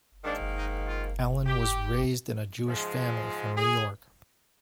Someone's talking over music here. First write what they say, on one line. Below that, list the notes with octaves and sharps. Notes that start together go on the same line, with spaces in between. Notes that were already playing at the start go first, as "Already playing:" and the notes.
Ellin was raised in a Jewish family from New York.
G#2 D#3 A#3 D4
D#4
F4
G4
G#2 F3 G#3
G#4